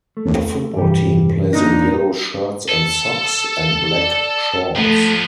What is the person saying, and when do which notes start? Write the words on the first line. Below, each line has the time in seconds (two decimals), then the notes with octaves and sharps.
The football team plays in yellow shirts and socks, and black shorts.
0.17 A3
0.77 G2 C3 E3 G3 G4
1.53 A#2 D3 D4 D#4 A#6
2.68 A4
3.94 D5
4.76 F3 A3 B3